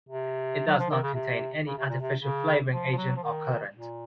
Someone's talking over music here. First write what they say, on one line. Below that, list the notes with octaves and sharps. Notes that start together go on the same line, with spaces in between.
It does not contain any artificial flavoring agent or colorant.
C3
F#3
F3
D#3
C#3
C3
C#3
C3
A#2
C3
C#3
F3
F3
F#3
F3
D#3
A#2